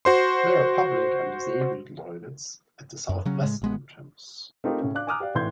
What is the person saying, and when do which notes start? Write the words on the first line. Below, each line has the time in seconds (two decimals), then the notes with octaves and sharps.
There are public and disabled toilets at the south-west entrance.
0.05 F#4 C5 C6
3.09 F#2
3.25 C#3 F#3 C#4
3.43 A2 G#3
3.62 A1 G#3 B3
4.64 A3 C4 D#4 F4 G4 A#4
4.81 A2 C#3 C#4
4.95 D4 F5 D6 F#6
5.07 G#5 A#5 D6 D#6 F6 F#6
5.20 G4 D5 F5
5.34 G#1 A2 E3 C6 G6 G#6